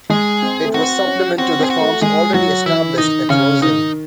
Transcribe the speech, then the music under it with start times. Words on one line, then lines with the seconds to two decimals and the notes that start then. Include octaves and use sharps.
It was supplement to the farms already established at Rose Hill.
0.10 G#3 G#4
0.42 C4
0.65 A3
0.74 C4 F#4
1.07 C#4
1.38 C4 F#4
1.59 C4 G#4
1.70 F#4
1.80 A3
2.02 G#3 G#4
2.34 F#3 F#4
2.66 E3 E4
2.98 D#3 D#4
3.30 C#3 C#4
3.62 D#3 D#4